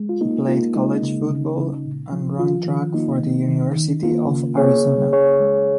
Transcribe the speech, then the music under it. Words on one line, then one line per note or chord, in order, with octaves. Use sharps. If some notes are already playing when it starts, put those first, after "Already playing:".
He played college football and ran track for the University of Arizona.
Already playing: G#3
F4
A#3 D#4
A#3 F4
G#3 D#4
C#3
C#3
C#3
A#2
F3
D#3 F4
D#3
A#3 D#4
D#3
D#3
D#3
A#3 F4
C#3
A#3 G#4 C#5
C#3
C#3 G#4 C#5
G#3